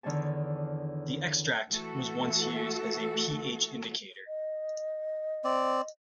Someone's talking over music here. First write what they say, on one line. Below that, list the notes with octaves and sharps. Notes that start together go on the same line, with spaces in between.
The extract was once used as a pH indicator.
E2 D3 D#3 D4 C#5 A5
E3 A3 F#4 A4
D#5
C4 D5